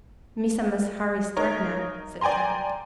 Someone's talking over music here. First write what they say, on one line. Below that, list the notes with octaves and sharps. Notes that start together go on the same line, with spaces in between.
"Missa must hurry start now," said Kadok.
D#4 A#4 C#5
D5 G5 G#5 A#5 C6